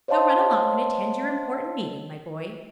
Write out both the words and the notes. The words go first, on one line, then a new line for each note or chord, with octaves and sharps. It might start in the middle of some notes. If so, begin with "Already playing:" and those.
"Now, run along and attend your important meeting, my boy."
C5 C#5 D#5 F5 A5 C6